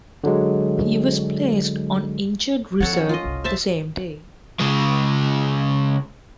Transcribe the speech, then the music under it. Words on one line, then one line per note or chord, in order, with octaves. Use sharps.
He was placed on injured reserve the same day.
D3 F#3 G#3
F3 C4 A4 C#5 F#5
C#4 F#5
F4 D#5
F#1 C2
C5 E5 A5
C#3 G#3